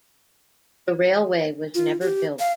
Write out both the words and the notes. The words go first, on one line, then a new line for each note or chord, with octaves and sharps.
The railway was never built.
F4
G4
F5